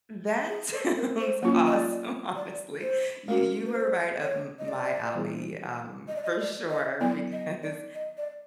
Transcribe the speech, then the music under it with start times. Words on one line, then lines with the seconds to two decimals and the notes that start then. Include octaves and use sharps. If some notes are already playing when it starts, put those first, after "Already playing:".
That sounds awesome, honestly. You you were right up m my alley, um, for sure, because
0.49 G#4
0.72 A4
0.97 A#4
1.20 C5
1.42 F#3 A#3 C#4 F4 C#5
1.66 D#5
1.74 D5
2.36 D5
2.82 C5
3.28 A3 C#4 F#4 A#4
3.65 B4
3.76 C5
4.22 C#5
4.59 D#5
4.68 D5
5.15 E3 G3 B3 E4 G#4
6.08 D#5
6.16 D5
6.23 D#5
6.39 D5
6.70 D#5
7.01 F#3 B3 E4 A4 D5
7.32 D#5
7.63 D5
7.94 D#5
8.18 D5